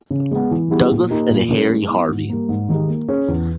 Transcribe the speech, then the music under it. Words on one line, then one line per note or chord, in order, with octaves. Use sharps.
Douglas and Harry Harvey.
C#3
G#3 B3
E3
G3 B3 E4 G#4
A#2
A#3 D#4 G4 A#4
A#2
G3 C#4 E4 A#4
G#3
B3 E4
G#2
G3 A#3
G#2
D#3 G#3 D#4 G4
A#3
C#4 G#4
E2